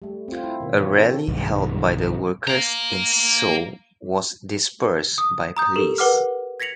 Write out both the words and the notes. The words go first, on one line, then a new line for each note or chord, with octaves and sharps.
A rally held by the workers in Seoul was dispersed by police.
G3 A3
C4 F4
E4
B2 D#3
E3 C#5
C4 D4 A4
B1 G2 D#3
F5 A#5
D#6
A#5 D#6 G6
G4 A4 A#4
A#4 B4 F#5 D6 F6
G#6 A#6 B6 C#7 F7 F#7